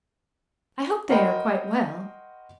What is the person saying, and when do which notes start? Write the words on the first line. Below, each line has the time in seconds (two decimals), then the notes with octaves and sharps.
I hope they are quite well.
1.09 F#4 A#4 C5 D#5 G5 B5